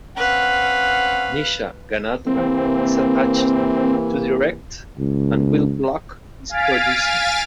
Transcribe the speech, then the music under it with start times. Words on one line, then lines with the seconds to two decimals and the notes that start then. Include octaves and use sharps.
Nisha Ganatra is attached to direct and Will Gluck is producing.
0.17 C4 C#4 B4 F5 F#5
2.27 C3 E3 A#3 C4
4.99 C#2
6.49 F5 G#5 F6 A6 B6 D7